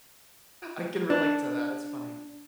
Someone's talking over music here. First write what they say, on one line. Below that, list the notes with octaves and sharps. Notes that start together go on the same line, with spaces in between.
I can relate to that, it's funny.
D4